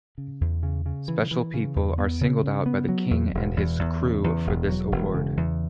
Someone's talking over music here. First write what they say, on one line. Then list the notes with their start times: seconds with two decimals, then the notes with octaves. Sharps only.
Special people are singled out by the king and his "Krewe" for this award.
0.18 C#3
0.41 E2
0.63 C#3
0.86 C#3
1.08 E3
1.31 E3
1.54 C#3
1.76 E2
1.98 B3
2.21 C#3
2.43 C#3
2.66 B3
2.89 F#3
3.11 E2
3.34 E1
3.57 E2
3.79 E2
4.02 C#3
4.24 E2
4.47 E1
4.70 F#3
4.92 E1
5.14 C#3
5.37 E2